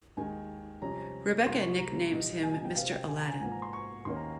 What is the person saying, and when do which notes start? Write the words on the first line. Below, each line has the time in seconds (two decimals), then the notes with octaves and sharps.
Rebecca nicknames him "Mr. Aladdin".
0.17 D#2 D#3 G#3 G#5
0.81 F2 C3 G3 C#4 A#5
1.46 C2 C3 G3 A#3 C6
1.62 C#6
1.79 A#5
2.11 A#2 G3 A#3 D#4
2.43 G#5
2.54 G#5
2.65 G5
2.76 C3 F3 C4 F5
2.92 G5
3.08 G#5
3.19 A#5
3.30 G#5
3.41 G#2 F3 A#3 G#5
3.51 A#5
3.62 C6
3.73 C#6
4.05 D#2 D#3 A#3 C#4 C6
4.16 A#5